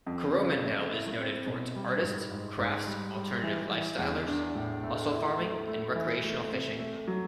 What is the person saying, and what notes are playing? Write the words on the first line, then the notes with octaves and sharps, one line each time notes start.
Coromandel is noted for its artists, crafts, alternative lifestylers, mussel farming, and recreational fishing.
F2
C#3
A3
E4
C4
B2
G3
G#2
G#2
G#2
G3
G3
E3
E3
E2
D4
A2
A3
E4
A3
A3
E3
A3
C3
A3
F#3